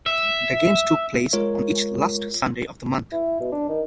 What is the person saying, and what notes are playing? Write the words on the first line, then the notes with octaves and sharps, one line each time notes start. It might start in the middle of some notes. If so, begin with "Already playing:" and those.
The games took place on each last Sunday of the month.
E5
G#3 F4 A#4 C#5
E4
B2
D4
D#3